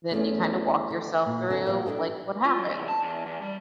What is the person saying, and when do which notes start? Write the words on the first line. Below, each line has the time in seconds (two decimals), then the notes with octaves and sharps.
then you kinda walk yourself through, like, "What happen?"
0.11 E2 A3 C#4
0.90 D3
1.26 A#2
1.50 F2 D3 G#5 A5
1.67 A#2 F3 F4 A#4
1.86 D4 E4 F4 A4 D#5
2.45 F4
2.59 F#3
2.70 E2
2.88 A5
3.02 E2
3.26 E2
3.42 G3